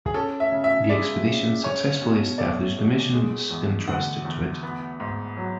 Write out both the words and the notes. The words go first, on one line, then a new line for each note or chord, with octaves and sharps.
The expedition successfully established the missions entrusted to it.
G#4
C#4 A4
E5
C#3
E5
G#3 D5
C#3
C#4 C#5
B2
A3 D5
B2
G#3
E2
D3 F#5
E2
B3
G#2
F#3